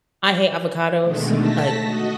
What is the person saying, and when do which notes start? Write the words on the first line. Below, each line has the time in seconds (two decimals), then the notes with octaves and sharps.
I hate avocados, uh
1.01 B2 D3 D#3 G#3 A3
1.35 A3 A5 A#6 B6
1.81 F#4 D#5